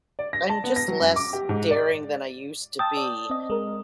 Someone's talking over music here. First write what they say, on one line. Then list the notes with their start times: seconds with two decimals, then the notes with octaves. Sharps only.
I'm just less daring than I used to be.
0.19 D5
0.33 A#6
0.49 A5
0.64 B3
0.76 A#6
0.88 F#3
1.00 F#2
1.16 D6
1.33 G4
1.49 G#2
1.71 D5
2.79 G5 A5 D#6 E6
2.97 D5
3.30 C4 D#5
3.50 G#3 A#4